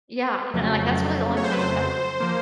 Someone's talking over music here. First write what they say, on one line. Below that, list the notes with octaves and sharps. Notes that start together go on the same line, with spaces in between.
Yeah, and then, like, that's really the only, like that's
F2 C#3 F#3 A3
C#5
C5
B4
C5
F3 A#3